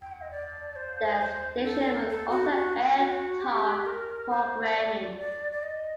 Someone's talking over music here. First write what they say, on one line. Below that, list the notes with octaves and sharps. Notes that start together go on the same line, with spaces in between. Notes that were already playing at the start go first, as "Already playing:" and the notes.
The station will also air talk programming.
G5
F#5
D#5
D5
C5
D5
C5
A4
A4
F#4
G4
F#4
F#4
G4
A#4
C5
D5
D5
D5
D#5